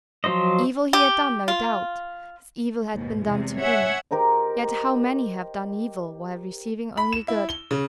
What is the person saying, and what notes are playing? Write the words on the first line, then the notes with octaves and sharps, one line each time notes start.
Evil he had done, no doubt, as evil had been done to him; yet how many have done evil, while receiving only good!
F3 F#3 F4 C5 D#5
G4
F4
D#2 G#2 B2
E2 C3 G#3
C#5 E5 F#5 G#5
G4 A#4 C5 D#5
B5
E7
E4
G7
C#3